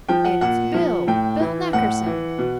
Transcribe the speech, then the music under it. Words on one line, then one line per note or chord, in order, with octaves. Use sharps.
"It's Bill--Bill Nackerson!"
F3 G5
F#5
A#2 F#5
F3
A2 G5
E3
A2 F#5
E3
B2